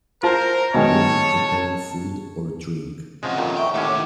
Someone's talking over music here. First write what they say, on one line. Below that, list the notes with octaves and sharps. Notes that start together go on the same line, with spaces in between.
Woman preparing food or drink.
F4 A#4 C5 A5
B2 D#3 G#3 C#5 A5
C3 F3 G#3 C#4 F#5
F2 A#2 D#3
E5 G5 C#6
D#2 A2 D#3 A3 C#4 E4 F#5 D6